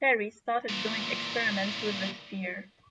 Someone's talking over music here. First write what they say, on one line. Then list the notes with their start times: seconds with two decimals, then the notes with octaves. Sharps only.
Terry started doing experiments with the sphere.
0.69 A#2 E3